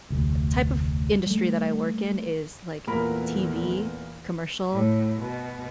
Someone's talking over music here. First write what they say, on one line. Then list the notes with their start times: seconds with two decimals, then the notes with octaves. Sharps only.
type of industry that I work in is, like, TV commercial
0.10 F1 D2
1.27 G3 A3
2.87 E2 A#2 A3 B3 A#4 B5
4.72 A2
5.22 B2